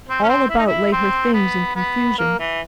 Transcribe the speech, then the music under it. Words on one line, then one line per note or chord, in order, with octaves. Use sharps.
All about lay her things in confusion.
C4
C#4
C4
E4
D#4
E4
C4
B3
B3
A#3
E3